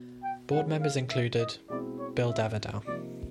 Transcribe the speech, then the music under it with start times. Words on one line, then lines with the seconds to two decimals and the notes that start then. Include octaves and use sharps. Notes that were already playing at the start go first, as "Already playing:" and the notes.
Board members included: Bill Davidow.
Already playing: B2 B3
0.23 G5
0.51 E3 G#3 C#4 E4 F#5
0.81 F5
1.10 E5
1.40 D#5
1.70 B2 G#3 C4 E4 D5
1.99 C#5
2.28 E5
2.87 C3 F3 A#3 D#4 D5